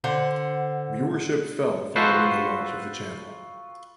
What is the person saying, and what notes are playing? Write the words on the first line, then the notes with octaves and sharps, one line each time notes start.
Viewership fell following the launch of the channel.
D3 C5 F#5
F4 F#4 A4 B4 C5